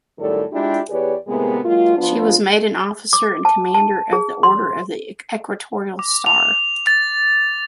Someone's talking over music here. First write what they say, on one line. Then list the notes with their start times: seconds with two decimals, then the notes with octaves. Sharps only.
She was made an officer and commander of the Order of the Equatorial Star.
0.19 F#2 A2 D#3 G3 A4 D5
0.52 G#3 D4 E4 F4 G4
0.89 E2 G4 G#4 B4 C#5 D5
1.27 A2 C3 G#3 A#3 B3
1.64 F#3 G#3 A#3 F4
1.97 F3 B3 D4 F4
3.13 D6
3.45 A5
3.74 A5
4.13 G#4
4.43 C6
5.99 D6
6.26 F7
6.87 A6